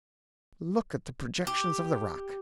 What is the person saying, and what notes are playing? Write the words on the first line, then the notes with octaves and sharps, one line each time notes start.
Look at the projections of the rock.
G4